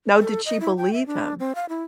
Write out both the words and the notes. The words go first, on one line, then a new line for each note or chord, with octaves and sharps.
No. Did she believe him?
A4
D#5
E4
G5
E5
D4
C4
F5
E4